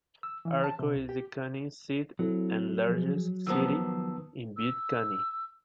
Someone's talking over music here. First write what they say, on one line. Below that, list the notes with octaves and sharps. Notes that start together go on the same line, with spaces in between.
Arco is the county seat and largest city in Butte County.
E6
E3
A5
C3
C2
G4
F#3 C4 E4 A4
F3 G#4
D#3 F3 B3 A5 D#6 E6
E6